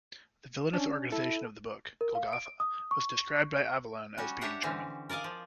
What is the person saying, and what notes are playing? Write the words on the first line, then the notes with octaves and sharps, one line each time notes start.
The villainous organization of the book, Golgotha, was described by Avallone as being German.
C#4 D4
E4 A4
A#4
F5
D7
D#6
C#6
G3 C#4 F#4
D4 G4 C#5 E5 F#5 G5
D3 E3 C4 C#4
A#4 D5 D#5 F5 G#5
F3